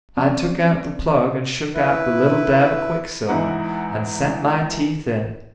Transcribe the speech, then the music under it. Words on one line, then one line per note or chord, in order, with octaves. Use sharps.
I took out the plug and shook out the little dab of quicksilver, and set my teeth in.
F3 C4 C#4 D5
E4 B4
E2 G#2 D#4 E4 F#5 A#5